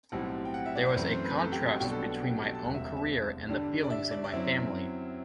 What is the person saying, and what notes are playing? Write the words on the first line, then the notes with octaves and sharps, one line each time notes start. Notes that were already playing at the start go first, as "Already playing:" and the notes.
There was a contrast between my own career and the feelings in my family.
B1 A2 G3 C4 E4 F#5
G5
F#5
E5
D5
C5
F#2 E3 A3 C4 B4
C5
B4
A4
G4
F#4
B1 B2 G3 B3 D4 G4
A4
A4
F#5
G5
G5
A5
A5
E1 D2 C3 F#3 F#5
E5
E5
E5
G2 D3 G3 D4
D5
E5
D5
D5
F#2 F#3 C4 E4 E5